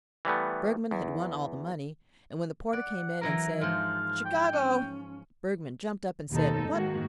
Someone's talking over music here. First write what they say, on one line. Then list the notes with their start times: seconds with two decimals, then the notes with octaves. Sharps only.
Bergmann had won all the money, and when the porter came in and said 'Chicago,' Bergmann jumped up and said: 'What!
0.25 E3 G3 A3 B3
0.91 E2
2.73 D5 F#5
3.21 E3 F#3 A#4 A#5
3.61 G#2 F3 F5
4.25 G5
4.53 C#4
6.31 D#2 B2 D#4 A4
6.69 G#2 D#3 A#3 F#4